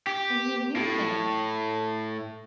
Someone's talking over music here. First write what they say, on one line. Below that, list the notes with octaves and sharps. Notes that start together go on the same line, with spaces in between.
And YOU KNEW HIM.
G4
A2